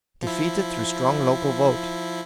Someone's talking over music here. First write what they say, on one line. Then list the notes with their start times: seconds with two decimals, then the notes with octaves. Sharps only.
Defeated through strong local vote.
0.23 F3 E4